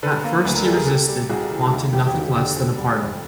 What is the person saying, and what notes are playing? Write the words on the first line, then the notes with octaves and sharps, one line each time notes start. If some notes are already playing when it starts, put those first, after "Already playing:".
At first he resisted, wanting nothing less than a pardon.
D3 A4 B4
A#3
D2 B4
A#4
G3 A4
G#4 A#4
C3 G4 A4
G3
C2 F#4 G#4
E3
D#2
E1 G4
G4
E1 F#4
D3 G4
F2
G3
F1